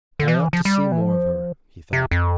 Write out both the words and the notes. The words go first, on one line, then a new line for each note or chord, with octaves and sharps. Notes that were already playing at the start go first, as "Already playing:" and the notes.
"I ought to see more of her," he thought.
D3
E3
F3
E3
F3
G3
E3
F3
C3
F2